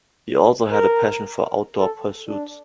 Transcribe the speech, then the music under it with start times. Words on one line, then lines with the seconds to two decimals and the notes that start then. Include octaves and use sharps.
He also had a passion for outdoor pursuits.
0.72 A#4
1.76 A4
2.28 D4